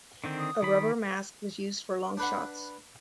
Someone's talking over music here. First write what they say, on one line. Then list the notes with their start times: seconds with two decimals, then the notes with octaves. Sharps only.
A rubber mask was used for long shots.
0.24 D3 D#3 C4
0.39 D#6
0.62 D#3 B5
2.17 D4 B4 F#5